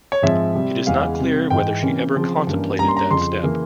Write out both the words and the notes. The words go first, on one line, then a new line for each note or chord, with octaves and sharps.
It is not clear whether she ever contemplated that step.
C#5
G#2 F3 G#3 C4 E5
C3 G3 C4
E2 C#3 E3 G#3 F5
C3 G3 C4
G#2 E3 G#3 G5
C3 E3 A#3 C#4
C#3 F3 C4
G2 E3 A#3 C#4
G2 G3 A#3 C#4 A#5
C6
A#5
F2 C#3 F3 C4 C6
C#3 E3 A#3